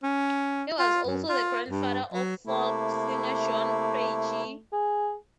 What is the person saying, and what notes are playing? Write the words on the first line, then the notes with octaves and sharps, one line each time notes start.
He was also the grandfather of folk singer John Craigie.
C#4
F4
F#2
F4
G2
F#3
C3 A3 A#3 E4
G#4